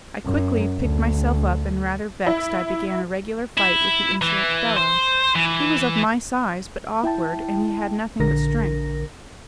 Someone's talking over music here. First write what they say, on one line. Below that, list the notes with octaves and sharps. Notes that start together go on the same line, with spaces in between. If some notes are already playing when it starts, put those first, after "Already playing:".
I quickly picked myself up, and rather vexed I began a regular fight with the insolent fellow. He was of my size, but awkward, and he had nothing but strength.
F#2
D2
E4
E4
E3
C5
E3
E4 G5 A5
A#1 D3 A#4 A#6